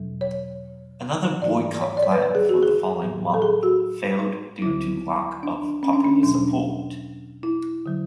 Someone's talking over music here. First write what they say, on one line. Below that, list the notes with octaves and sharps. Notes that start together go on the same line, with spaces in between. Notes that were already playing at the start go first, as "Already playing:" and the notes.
Another boycott planned for the following month failed due to lack of popular support.
Already playing: E2 B2 F#3
C#5
G#2 E3 D5
C#5
D5
C#5
B4
B4
G#4
F#4
G#4
A2 F#3
A4
G#4
F#4
D2 D3 F#3 E4
D4
C#4
D4
C#4
E2 B2 F#3 D4
E4
D3 F#3